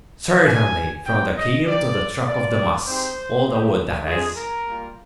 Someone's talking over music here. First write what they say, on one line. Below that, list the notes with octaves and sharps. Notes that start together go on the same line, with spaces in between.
"Certainly, from the keel to the truck of the masts--all the wood, that is."
A#3 D4 G4 G#5
G#3 C4 D#4 G5
D#5
A#3 D4 G4 D5
A#3 F4 D5
G#3 C4 D#4 G4 C5
G#3 D#4 G4
G#3 D4 F4 G#4
A#4
G3 A#3 F4